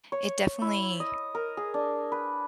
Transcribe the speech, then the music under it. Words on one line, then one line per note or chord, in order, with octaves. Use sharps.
it definitely,
C#5
E4
D#5
A#4
G#4
D4
B4